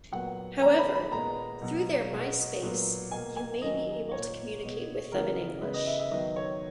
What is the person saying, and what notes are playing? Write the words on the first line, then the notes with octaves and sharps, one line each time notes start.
However, through their MySpace you may be able to communicate with them in English.
A#2 F#3 B3 F#5
D#3 G#3 B3 A#5
B5
B5
A#2 G#3 B3 A#5
B2 F#3 B3
B2 G#3 B3
A#2 F#3 B3
B2 A#3 G#5
G#5
D#3 F#3 A#3 D#5
A#2 A#3 C#5
B2 G#3 B3
C#3 E3 G#3 B3 A#4
C#3 G#3 B3 B4
D#5
E5
E5
D#3 F#3 B3 D#5
C#5